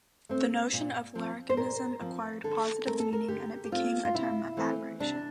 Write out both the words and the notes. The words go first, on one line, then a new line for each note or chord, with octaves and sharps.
The notion of larrikinism acquired positive meaning and it became a term of admiration.
A3 C4
A#2
F3 C4
C5
A#2 A#4
F3 C4
D3 A4
A3 C4 A#4
A4
A#4
D3 G4
G4
A3 C4 F4
F4
C3 E4
E3 A3 C4
C3 D4